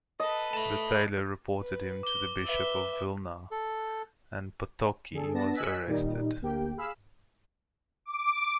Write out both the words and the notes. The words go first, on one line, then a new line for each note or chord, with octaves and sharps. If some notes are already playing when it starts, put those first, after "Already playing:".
The tailor reported him to the Bishop of Vilna, and Potocki was arrested.
A4 B4 D#5
A3 A5 B5
B4
D6 G7
B4 E5
A4
D3 G#4 A4
B3 D4 A5 A#6
D#5 G#5 E6 F#6 B6
A#2 D#3 G3 D#4
D2 A#3 G4 G5
G#4 F5 B5 E6
D6